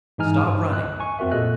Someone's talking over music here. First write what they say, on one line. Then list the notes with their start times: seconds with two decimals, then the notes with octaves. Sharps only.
Stop running.
0.18 G#2 E3 G#3 D#4 G#5 F6
0.41 G2
0.73 D#5 F#6
1.00 G#5 C#6
1.19 F2 C4 F#4 A#4 E5
1.31 A#2 G#4 A4 D#5 F#6